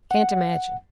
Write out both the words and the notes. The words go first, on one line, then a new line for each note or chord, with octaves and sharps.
"Can't imagine."
F#5